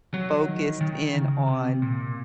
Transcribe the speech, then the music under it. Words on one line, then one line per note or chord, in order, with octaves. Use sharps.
focused in on
F#3
D#3
D#3
C#3
C3
A#2